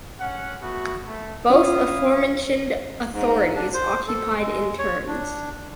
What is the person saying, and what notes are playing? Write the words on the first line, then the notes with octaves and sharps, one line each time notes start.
Both aforementioned authorities occupied in turns.
C#4 F#5
A3 B3 F#4
A3
C#4 E4 F4 F5 D#6
G#2
D4
C5
A4
G#3
C#5
D4